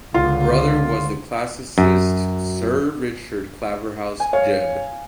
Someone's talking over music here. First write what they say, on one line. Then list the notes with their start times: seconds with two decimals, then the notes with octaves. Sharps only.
Her brother was the classicist Sir Richard Claverhouse Jebb.
0.14 C#2 D3 F4
1.78 F#2
4.20 G#5
4.33 C#5 F5